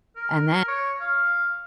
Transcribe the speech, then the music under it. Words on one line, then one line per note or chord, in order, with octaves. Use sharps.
and then
A#4
C#5
F5